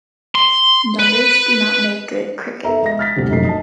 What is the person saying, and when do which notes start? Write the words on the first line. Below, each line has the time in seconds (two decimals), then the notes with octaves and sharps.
Numbers do not make good cricket.
0.35 C6
1.00 B4
2.64 B3 D#4 A4 E5 A#5
2.83 G#3 D#5 E5 A#6
2.99 F6 A6 B6
3.16 E1 A1 D2 C3 G3
3.30 F1 F#2 A#2 C7
3.45 D#5 A5